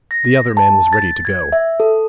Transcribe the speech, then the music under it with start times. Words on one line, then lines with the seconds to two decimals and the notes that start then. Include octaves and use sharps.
The other man was ready to go.
0.11 A#6
0.57 A5
0.93 A6
1.25 G#6
1.52 E5
1.80 A4